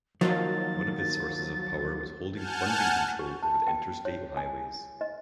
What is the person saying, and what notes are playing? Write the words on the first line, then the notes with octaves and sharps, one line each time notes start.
One of his sources of power was holding funding control over the interstate highways.
D#3 F3 F#3 A#3 F4 A6
F#5 G#5 A5 F6 G6
G4
A5
G5
C#5
G#5
D#5